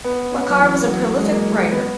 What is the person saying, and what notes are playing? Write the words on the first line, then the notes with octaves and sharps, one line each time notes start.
Machar was a prolific writer.
B3
C#4
F#3
E3
F#3
G#3
A#3
B3